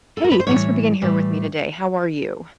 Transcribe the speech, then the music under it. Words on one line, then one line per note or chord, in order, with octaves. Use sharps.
Hey. Thanks for being here with me today. How are you?
A4
A#4
B4
C5
A2 E3 G3 C#5
A2 E3 G3